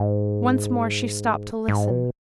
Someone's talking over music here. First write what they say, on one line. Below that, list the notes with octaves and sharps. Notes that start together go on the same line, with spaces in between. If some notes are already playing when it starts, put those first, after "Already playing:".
Once more she stopped to listen.
Already playing: G#2
G#2
B2